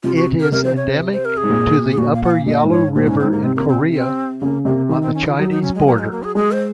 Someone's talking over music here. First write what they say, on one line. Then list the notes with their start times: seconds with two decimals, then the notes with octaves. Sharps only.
It is endemic to the upper Yalu River in Korea, on the Chinese border.
0.03 C3 F4
0.16 F#4
0.40 A#4
0.52 C3 A#4
0.64 C5
0.77 C#5
0.88 C5
1.13 C5
1.25 A#4
1.37 G#4
1.43 G#2
1.50 A#2
1.91 G#4
1.98 A#2 F#4
2.14 F5
2.23 F#5
2.31 F5
2.46 A#2 D#5
2.63 G#2
2.71 C#5
2.95 A#2 C5
3.05 G#2 C#4
3.20 C4
3.23 G#2
3.32 A#3
3.44 C3 C4
3.56 A#3
3.69 C4
3.93 C4
4.41 C#3 A#3
4.65 C3 A#3
4.89 D#3 C4
5.02 C4
5.15 C#4
5.26 F4
5.38 F#3 D#4
5.51 D#4
5.63 C#4
5.75 G#3
5.87 A#3
5.99 G#3
6.12 A#3
6.23 G#4
6.35 G#3 G#4
6.52 C5